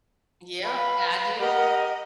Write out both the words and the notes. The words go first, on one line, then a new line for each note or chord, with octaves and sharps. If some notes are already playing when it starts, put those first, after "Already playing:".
Yep, I do
B4 F5
G4 A#4 D#5 F#5